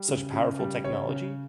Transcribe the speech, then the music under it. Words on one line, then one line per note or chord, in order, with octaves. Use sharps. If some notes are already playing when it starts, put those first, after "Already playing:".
such powerful technology
Already playing: G3
C#3
C#3
G3
C#3 C#5
C#3